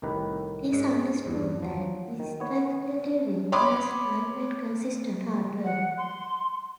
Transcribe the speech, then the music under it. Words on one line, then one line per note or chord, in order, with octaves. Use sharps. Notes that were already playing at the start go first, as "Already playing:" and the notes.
It is understood that this strength-building requires time and consistent hard work.
C2 A2 D#3 G4 B4
G#2
E2 G2
F3 F#3
D#3
B3 C#5
C#5 B5 C6 D6 D#6
F#5
C6